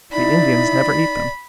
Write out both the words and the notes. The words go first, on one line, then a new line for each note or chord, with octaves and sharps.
The Indians never eat them.
D#4 E4 D5 B5